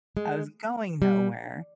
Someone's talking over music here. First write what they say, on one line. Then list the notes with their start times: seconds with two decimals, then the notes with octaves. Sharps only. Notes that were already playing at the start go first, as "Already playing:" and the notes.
I was going nowhere,
0.17 G#3
1.02 G3